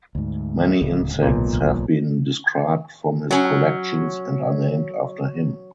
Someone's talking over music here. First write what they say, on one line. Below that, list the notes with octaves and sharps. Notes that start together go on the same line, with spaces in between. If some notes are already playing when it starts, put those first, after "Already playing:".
Many insects have been described from his collections and are named after him.
D2 G#2
D1 C#2
B1 A#2
F#3 C#4